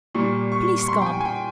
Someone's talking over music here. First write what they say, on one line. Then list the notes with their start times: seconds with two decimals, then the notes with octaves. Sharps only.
Please come!
0.15 A#2 G3 A#3 C#6
0.52 C#6
0.80 C#6
0.88 C6
1.02 G5
1.06 G#5
1.21 G#5
1.25 G5